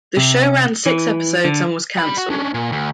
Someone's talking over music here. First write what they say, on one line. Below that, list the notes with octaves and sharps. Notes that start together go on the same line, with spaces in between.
The show ran six episodes and was cancelled.
C3
E3
D3
G3 B5
F#4
C#4 D4
A#2
D2